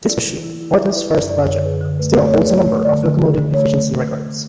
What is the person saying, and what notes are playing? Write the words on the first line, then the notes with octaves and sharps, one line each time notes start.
This machine, Porta's first project, still holds a number of locomotive efficiency records.
E4 D5
E3
E4
E4
E4 E5
E4 B4
F#2 D5
F#2 D5
D3 C#5
G#4 B4
D3
A3 B4
A3 D5
C#5
G#4 B4
A3 C#5
A3
D3 D5
D3
G#4
D3
A3 C#5